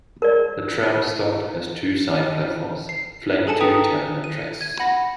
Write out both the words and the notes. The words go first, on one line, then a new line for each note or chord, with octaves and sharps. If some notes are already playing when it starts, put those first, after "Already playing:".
The tram stop has two side platforms, flanked two terminal tracks.
A#4 D5
C7
G#4 A4 G#5 A5 C#7 E7
B4 G5 G#5 A#5 D#6 B6
D#7
G#6 D#7
F#5 B5 A#6